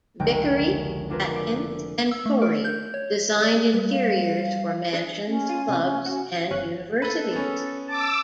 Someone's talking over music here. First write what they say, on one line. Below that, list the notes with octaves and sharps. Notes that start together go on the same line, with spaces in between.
Vickery, Atkins and Torrey designed interiors for mansions, clubs and universities.
F1 C#2 D3 G#3 A#3 G5
B3 D4 F4 G#4 A#4 B4
A4 D5
E6
A3
A#4
G6
C#5
A3 G#4 D5
G3 B4
F5
D4 G#4
C#4
F4 D#7
C3
F#4
G1 C#4 F#6
A4 B4
B3 C#4
A5 D6 E6